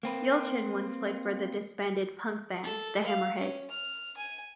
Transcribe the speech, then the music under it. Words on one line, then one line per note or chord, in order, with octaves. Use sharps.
Yelchin once played for the disbanded punk band, the Hammerheads.
A#3 C4 B4
A4
F5
C#4
F6
G#5